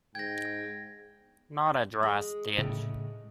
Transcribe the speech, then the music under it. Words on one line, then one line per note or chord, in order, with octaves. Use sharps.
Not a dry stitch.
G#2 G5 G#6 A#6
G#3
A2 C#3